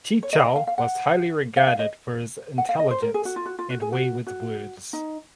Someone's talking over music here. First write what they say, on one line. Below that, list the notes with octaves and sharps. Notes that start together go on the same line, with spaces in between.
Chi Chao was highly regarded for his intelligence and way with words.
C#5
D#5
D#5
F5
F5
F#5
F5
F5
D#5
F#5
F5
D#5
C5
A#4
G#4
F#4
F4
F#4
F4
F#4
G#4
F#4
F#4
D#4